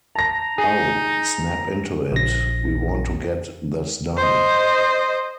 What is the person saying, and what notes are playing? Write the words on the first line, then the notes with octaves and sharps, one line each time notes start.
Oh, snap into it! We want to get this done.
A5 A#5 A#6
D#4 G#4
A#1 A#6
C5 D#5